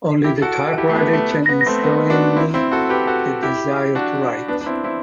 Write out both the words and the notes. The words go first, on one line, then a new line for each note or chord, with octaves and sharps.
Only the typewriter can instil in me the desire to write.
E4 G4
F#4 A4
E4 G4
A3
B3
A3
B3
B3
A3 C4
B3
D4 F#4
C4 E4
C4 E4
F#4 A4
G4 B4
F#4 A4
E4 G4
D4 F#4
B3 D4
D4
C4 E4
C4 E4